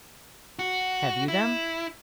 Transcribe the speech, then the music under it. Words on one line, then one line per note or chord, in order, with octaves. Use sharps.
"Have you them?"
F#4
E4